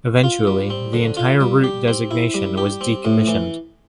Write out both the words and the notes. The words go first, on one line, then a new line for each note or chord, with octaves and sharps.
Eventually, the entire route designation was decommissioned.
F4
G3
C4
D3
F4
G3
G4
C4
E4
G3
G4
C4
A2
E3